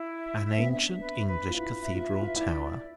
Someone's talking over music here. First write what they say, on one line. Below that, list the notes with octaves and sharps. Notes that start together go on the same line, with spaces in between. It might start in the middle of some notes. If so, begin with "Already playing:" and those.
An ancient English Cathedral Tower?
Already playing: E4
E5
E5
B3
C4
D4 E5
B4
B4
F4
E4 B4
E5
F4
B4
F4
E4 D5
D5